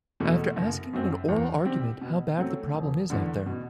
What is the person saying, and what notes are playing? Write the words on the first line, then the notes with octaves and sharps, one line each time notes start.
After asking in oral argument, how bad the problem is out there?
E2 B2 A3
F#1
F#2 F#3 C4
E2
C3 G3 C4 G4
B2
F#3 A3 C4
E1
E2 D3
B2